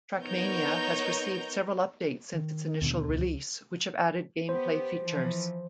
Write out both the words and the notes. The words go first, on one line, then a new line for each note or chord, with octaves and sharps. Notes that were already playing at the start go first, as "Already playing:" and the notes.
Trackmania has received several updates since its initial release which have added gameplay features.
B3 D#4 A#4 C#5 A#5 G6
D#3
D#2 B2 D3
C#2
B3 G4 C5
E3 F3